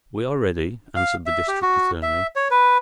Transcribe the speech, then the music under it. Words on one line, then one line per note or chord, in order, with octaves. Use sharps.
"We are ready," answered the District Attorney.
F5
E5
G4
F#4
E5
C#5
B4